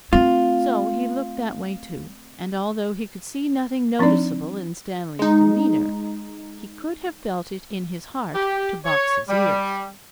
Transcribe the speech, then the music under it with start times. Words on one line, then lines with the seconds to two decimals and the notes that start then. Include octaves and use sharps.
So he looked that way too; and although he could see nothing noticeable in Stanley's demeanour, he could have felt it in his heart to box his ears.
0.13 A3 C4 F4
3.99 F3 C4 D4 D#4 D5
5.19 G#3 D#4
8.34 G4
8.85 C#5
9.29 G3